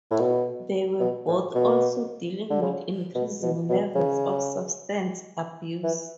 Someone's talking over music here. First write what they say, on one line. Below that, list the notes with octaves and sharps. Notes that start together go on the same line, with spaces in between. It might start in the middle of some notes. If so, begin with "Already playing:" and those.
They were both also dealing with increasing levels of substance abuse.
A2
B2
B2
A2
B2
D3
C#3
B2
B2
B2
C#3
E3